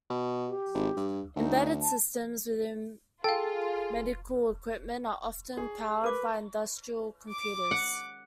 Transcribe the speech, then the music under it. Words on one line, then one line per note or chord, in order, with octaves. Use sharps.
Embedded systems within medical equipment are often powered by industrial computers.
B2
G4
G#1
G2
D2 D#4
A5
F4 G#4 A4 F5 G5
G#4
A#4 B4 D6
D6
F#5